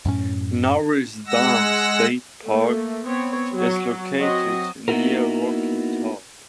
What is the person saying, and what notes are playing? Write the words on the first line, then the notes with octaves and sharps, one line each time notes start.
Norris Dam State Park is located near Rocky Top.
F#2 A2 C#4
G#3 F#5 E6 A#6
A3 A#3
B3 C4 C#5
F#3
F#3 C4 F#4 D#5
A#3 B3 D#4 E4 F#4 A#4